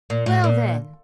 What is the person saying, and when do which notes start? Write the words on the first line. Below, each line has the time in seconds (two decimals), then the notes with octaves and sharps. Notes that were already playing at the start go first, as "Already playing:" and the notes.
"Well then!"
0.10 A#2
0.26 A2
0.44 A#2